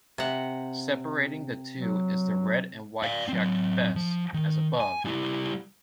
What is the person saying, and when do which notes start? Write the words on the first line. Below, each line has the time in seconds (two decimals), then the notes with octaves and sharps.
Separating the two is the red and white checked fess, as above.
0.18 C3 F#5
1.76 F#3
3.03 D5 F5
3.28 F#3 C4
3.96 F3
4.34 D#3
4.80 G#5
5.05 G3 E4